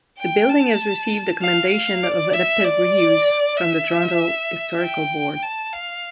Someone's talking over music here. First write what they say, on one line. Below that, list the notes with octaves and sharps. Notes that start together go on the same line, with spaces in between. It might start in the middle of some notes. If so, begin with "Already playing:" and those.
The building has received a Commendation of Adaptive Re-use from the Toronto Historical Board.
G5
A5
F5
F5
D5
E5
D5
E5
G5
A5
F5